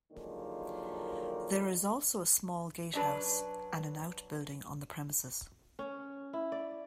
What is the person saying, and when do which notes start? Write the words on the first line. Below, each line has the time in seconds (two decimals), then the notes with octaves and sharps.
There is also a small gatehouse and an outbuilding on the premises.
0.12 D3 D#3 F3 F#3 G#3 A#3
2.93 F#3 D4 B4
5.79 C#4
6.33 E4
6.52 D5